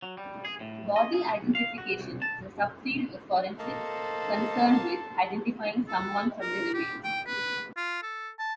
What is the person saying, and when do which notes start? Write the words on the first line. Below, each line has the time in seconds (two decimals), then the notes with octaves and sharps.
Body identification is a subfield of forensics concerned with identifying someone from their remains.
0.02 F#3
0.17 G3
0.45 G#4
0.60 A2
0.96 D#5
1.13 G#4
1.42 B1
1.55 F5
1.78 F#4
1.99 C2
2.22 A5
3.59 A#3 A4 C5 D#5 A5
5.88 A4
6.41 A#4
6.74 G4
7.04 G5
7.26 B4
7.77 F4
8.03 A4
8.39 A5